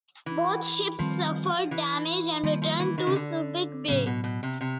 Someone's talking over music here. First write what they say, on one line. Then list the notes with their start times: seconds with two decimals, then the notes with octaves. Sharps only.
Both ships suffered damage and returned to Subic Bay.
0.26 E3
0.99 D#3 F3 G3 C4
1.71 E3
2.43 D#3 F3 G3 A#3
2.62 F3
2.80 E3
2.98 D#3
3.07 C#3
3.16 D3
3.88 A2 C#3 F#3 B3
4.06 B2
4.24 B2
4.43 C3
4.61 C3